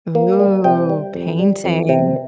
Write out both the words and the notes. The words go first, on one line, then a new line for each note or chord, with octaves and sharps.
Ooh, painting.
A#3
G3
C3 G5
G3
F2
G3
F2
C3